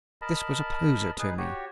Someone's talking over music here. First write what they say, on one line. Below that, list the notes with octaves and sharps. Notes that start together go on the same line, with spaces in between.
This was a poser to me.
A#4 D#5 A5 B5
D#4 G#4 B4
F#4 G4 C#5